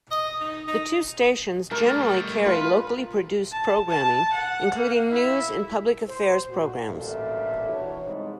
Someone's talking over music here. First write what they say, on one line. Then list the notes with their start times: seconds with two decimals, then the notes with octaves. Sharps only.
The two stations generally carry locally produced programming including news and public affairs programs.
0.11 D#5
0.40 D#4
0.68 D#4
1.71 G3 A3 A#4
2.46 F4 B4
3.51 A5
3.89 A5
4.33 F#5
4.76 A#3
5.09 E4
6.08 C5
6.49 A#2 F#4
6.88 A1 D2 A#2 G3 A4 E5
7.67 E3 B3 D4 E4 F#4 C#5
8.05 C2 G#2